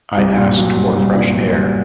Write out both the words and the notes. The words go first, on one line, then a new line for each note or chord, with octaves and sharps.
I asked for fresh air.
C2
A#2
F#3
C2
C2
A#2
F#3
C2